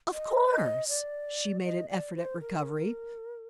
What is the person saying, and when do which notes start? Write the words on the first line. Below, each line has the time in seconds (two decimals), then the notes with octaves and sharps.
"Of course." She made an effort at recovery.
0.12 D#5
0.50 D#5
0.89 D5
1.64 D#5
1.89 D5
2.15 C5
2.41 A#4